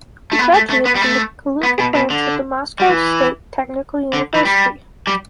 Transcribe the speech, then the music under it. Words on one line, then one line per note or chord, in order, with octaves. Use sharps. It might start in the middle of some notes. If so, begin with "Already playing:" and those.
He graduated from the Kaluga branch of the Moscow State Technical University.
A3
B3
A3
A3
B3
G3
A3
B3
B2
B2
D3
G3
E3
D3
E3
G3
G3